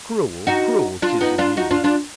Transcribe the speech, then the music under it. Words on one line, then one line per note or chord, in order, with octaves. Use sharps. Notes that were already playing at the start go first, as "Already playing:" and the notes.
"Cruel, cruel, 'tis of you!"
D#4 F#4
D4 F4
B3 D#4
D4 F4
D#4 F#4
D4 F4
D4 F4